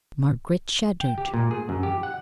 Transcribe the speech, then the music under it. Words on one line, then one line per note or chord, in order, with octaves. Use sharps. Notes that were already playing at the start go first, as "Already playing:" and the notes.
Margaret shuddered.
G5
G4
A#2
G#4
F#2
G4
F#5